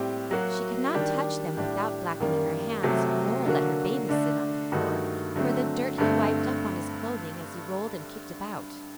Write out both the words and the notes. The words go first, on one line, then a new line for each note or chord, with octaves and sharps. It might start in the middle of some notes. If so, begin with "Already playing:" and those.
She could not touch them without blackening her hands, nor let her baby sit on the floor for the dirt he wiped up on his clothing as he rolled and kicked about.
Already playing: A2 G3 C4 G4
F#3 A#3 F#4
D#3 G3 D4 G4
A2 G3 D4 G4
F#2 D#3 G3 A#3
C3 F#3 A3
D3 F#3 A#3 F#4
D3 A3 D4
G2 D#3 A3 D#4 F#4
D3 F#3 A3 C4
G2 D3 A3 C4